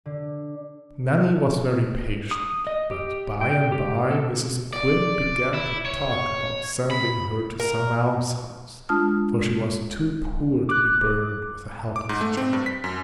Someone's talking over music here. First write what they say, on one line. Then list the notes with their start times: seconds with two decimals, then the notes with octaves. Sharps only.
Nanny was very patient; but, by and by, Mrs. Quinn began to talk about sending her to some almshouse, for she was too poor to be burdened with a helpless child.
0.06 D3
2.31 D#6
2.67 D#5
2.91 G4
3.41 G5
3.72 G4
4.11 A4
4.73 D5
5.54 E4
5.86 C#5
6.91 B5
7.60 A#4
8.89 G#3 D4 F4 A5 D#6 F6
10.69 D6 F#6
11.96 D6
12.09 G#2
12.21 A3
12.37 C4
12.53 G2
12.66 B6
12.84 F#2